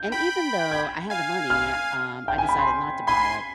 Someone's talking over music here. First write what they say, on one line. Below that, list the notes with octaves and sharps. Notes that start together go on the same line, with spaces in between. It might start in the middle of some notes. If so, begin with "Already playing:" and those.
and even though I had the money, um, I decided not to buy it
Already playing: G6
G5 B5
G#6
F5 G#5
F6
G5
G#5
B5
C6
G#5 B5 C6